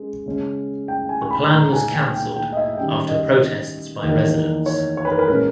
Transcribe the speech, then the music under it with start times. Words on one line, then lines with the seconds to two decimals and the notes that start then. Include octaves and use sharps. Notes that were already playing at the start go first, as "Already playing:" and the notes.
The plan was canceled after protests by residents.
Already playing: G#3 C#4
0.26 C#3 G#3 C#4
0.88 G5
1.09 G#5
1.21 C#6
1.31 B5
1.51 A#2 G#3 D#4 A#5
1.73 G#5
1.93 G5
2.14 G5
2.36 G5
2.53 D#5
2.57 E5
2.77 D#3 G3 C#4 G5
3.08 D#5
4.03 E2 D#3 A#3 D#4
4.66 C#5
4.97 C#5
5.05 B4
5.12 A#4
5.19 B4
5.28 A#2 G#3 C#4 A#4